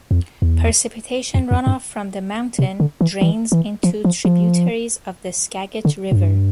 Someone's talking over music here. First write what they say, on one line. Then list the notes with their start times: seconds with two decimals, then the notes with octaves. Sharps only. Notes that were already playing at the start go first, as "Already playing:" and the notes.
Precipitation runoff from the mountain drains into tributaries of the Skagit River.
0.11 F2
0.42 E2
1.35 F2
1.51 F2
1.67 G2
2.59 C3
2.80 D3
3.01 E3
3.21 E3
3.52 E3
3.83 F3
4.05 F3
4.25 F3
5.85 D3
6.12 A2
6.16 G2